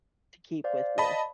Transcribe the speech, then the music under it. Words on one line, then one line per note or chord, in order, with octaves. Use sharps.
to keep with you.
C5 D5 F5
D#5 A5 B5